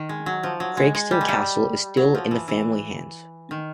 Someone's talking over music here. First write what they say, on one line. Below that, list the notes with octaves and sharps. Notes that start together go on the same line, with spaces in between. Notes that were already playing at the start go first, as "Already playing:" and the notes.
Craigston Castle is still in the family's hands.
Already playing: D#3
G#3
F#3
F3
F#3
G#3
G#3
G3
G#3
G3
F#3
F3
E3
E3
D#3